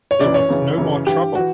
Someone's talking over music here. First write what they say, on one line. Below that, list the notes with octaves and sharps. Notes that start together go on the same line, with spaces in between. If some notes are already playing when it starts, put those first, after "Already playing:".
There was no more trouble.
C#5
F#2 E3 D5
C#5
F#2 C#3 E3
F#2 C#3 E3
G2 E3 G4
E3 F#4